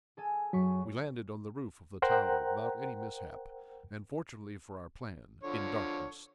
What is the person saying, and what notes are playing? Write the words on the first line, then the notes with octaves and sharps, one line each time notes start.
We landed on the roof of the tower without any mishap, and fortunately for our plan, in darkness.
G#4 A4 G#5
F#2 F#3 C#6 B6
A#4 C5 F#5 G5 A#5 F#6
D3 F3 C#5